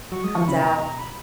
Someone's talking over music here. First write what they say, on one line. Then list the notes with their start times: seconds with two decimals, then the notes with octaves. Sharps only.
comes out.
0.11 F#3 C#6
0.24 G#3 D#6
0.35 D#3 C#6
0.48 C#3 B5
0.61 B2 A#5
0.98 B5